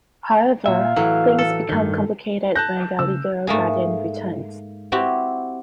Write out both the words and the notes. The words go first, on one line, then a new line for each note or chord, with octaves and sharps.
However, things become complicated when their legal guardian returns.
A#2 E5 F5
A2 E3 F#3
A4
G2 D#3
A5 F#6 G6 A#6
C#3 A3 C#4 E6
G#2 A3 A#3 G#4
C4 E4 F#4 G4